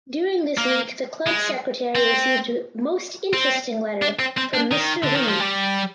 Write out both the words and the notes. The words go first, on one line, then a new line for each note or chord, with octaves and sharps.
During this week the club secretary received most interesting letter from Mr Wm.
A#3
G#3
C4
C4
D4
C4
C4
D4
D#3
D3
D#3
F3
G3